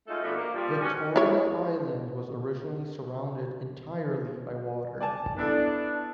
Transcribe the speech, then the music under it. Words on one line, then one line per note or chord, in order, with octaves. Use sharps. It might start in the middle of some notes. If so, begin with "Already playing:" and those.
Victoria Island was originally surrounded entirely by water.
G#3 A3 C#4 D#4 F4 A4
B2 F3 A3 D4 F#4
A#3
F3 G3
C#4 F#4
E4 C#5
D5 G#5 A5
B3 D4 E4 A4